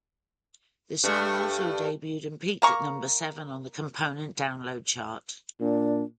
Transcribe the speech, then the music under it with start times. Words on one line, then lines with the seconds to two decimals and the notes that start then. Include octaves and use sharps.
The song also debuted and peaked at number seven on the component Download Chart.
1.04 G2 A3
2.62 A#3 A#5 C#6
5.60 A#2 D4